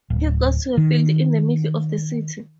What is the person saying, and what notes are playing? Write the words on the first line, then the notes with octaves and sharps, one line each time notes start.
He goes to a field in the middle of the city.
D1
D#3